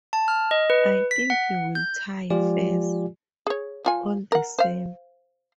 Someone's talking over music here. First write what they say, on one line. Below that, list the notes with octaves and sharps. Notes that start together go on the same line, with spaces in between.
I think you will tire first, all the same.
A5
F6
D#5
B4
B6
F#5
G6
F3 G#3 F4 G4 D5 G#5
G#4 C#5
F3 F4 G#5
A#4 F#5
C5 F5